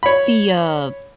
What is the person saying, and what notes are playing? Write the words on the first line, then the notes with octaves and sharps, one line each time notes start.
the, uh,
C#5 B5